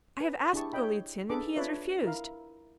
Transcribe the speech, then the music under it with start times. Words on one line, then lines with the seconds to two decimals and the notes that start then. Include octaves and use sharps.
I have asked Golitsyn and he has refused.
0.18 B4 G#5
0.53 D4 E4 G4 G#4 A5 C#6
0.73 C#5 D#5 G5 B5
1.30 D4 G#4 A4 B4 D6
1.56 D4 F4 B4 C#5 D5 E5
2.03 E4 A#4 F5